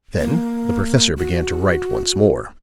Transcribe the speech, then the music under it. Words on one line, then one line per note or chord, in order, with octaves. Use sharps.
Then the professor began to write once more.
A#3
F#4